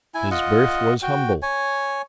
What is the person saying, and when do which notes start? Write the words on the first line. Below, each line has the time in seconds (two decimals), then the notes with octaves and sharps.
His birth was humble.
0.15 E4 G#5
0.31 F4 D#5 F#5
1.02 F#4 G5
1.42 C#5 G#5